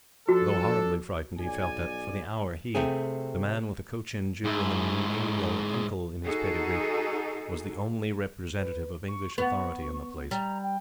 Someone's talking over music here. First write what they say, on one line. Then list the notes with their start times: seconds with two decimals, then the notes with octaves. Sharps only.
Though horribly frightened, he felt that, for the hour, he, the man with the Cochin Jew and the menial uncle in his pedigree, was the only representative of English authority in the place.
0.29 F3 D4 F#4 A4
1.39 B1 D5 G#5
2.75 C3 A3 C4 G#4
4.44 G#2 E4
6.24 D#4 F#4 G#4 A4
8.57 B4
9.08 C#6
9.38 B3 C#6
10.31 G3 A#5
10.63 G5